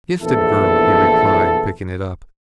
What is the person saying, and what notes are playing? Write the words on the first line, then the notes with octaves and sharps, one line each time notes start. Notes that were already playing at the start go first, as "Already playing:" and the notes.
"Gifted girl!" he replied, picking it up.
A#1 E2 B3 E4 A4